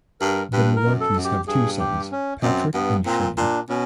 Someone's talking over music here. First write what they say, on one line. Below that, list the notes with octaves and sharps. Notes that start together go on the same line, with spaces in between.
The Mularkeys have two sons, Patrick and Shane.
G2 A#4
G2 B4
A#4
F#2
A4
F#2
G4
G2 G#4
G4
C#4
F#2 C4
G2 B3
A#2 C4
A#2 D4
B2 C#4